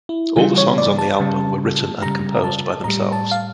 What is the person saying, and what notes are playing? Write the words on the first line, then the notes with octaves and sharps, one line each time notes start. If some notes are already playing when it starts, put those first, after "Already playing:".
All the songs on the album were written and composed by themselves.
E4
C#3 E3 G3 F4
C#5
D5
A5
C#3 G3
C#3 G3 A#5
A5
A2 G3 A#5
A5
F5